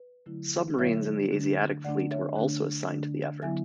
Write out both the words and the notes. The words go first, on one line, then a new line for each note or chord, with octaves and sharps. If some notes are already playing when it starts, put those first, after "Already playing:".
Submarines of the Asiatic Fleet were also assigned to the effort.
Already playing: B4
D3 F#3 A3 E4
D3 F#3 A3 E4 C#5 E5
D3 A3 D4
D3 A3 D4 D5 F#5
C#5 E5
D3 A3 D4
D3 A3 D4
D3 F#3 B3 E4 E5 G#5